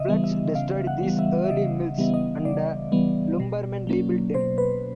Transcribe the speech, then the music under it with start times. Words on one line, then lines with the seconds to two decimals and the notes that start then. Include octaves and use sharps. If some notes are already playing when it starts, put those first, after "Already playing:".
Floods destroyed these early mills, and the lumbermen rebuilt them.
Already playing: C#3 D#5 E5
0.08 E3 G3 B3
0.24 E5
0.55 C#3 F5
0.87 F#5
1.03 E3 G3 B3
1.19 E5
1.44 E5
1.50 C#3 D#5
1.98 E3 G3 B3
2.14 D#5
2.45 C#3 D5
2.92 E3 G3 B3
3.40 B2
3.87 F#3 A#3 C#4
4.34 B2 C5
4.58 B4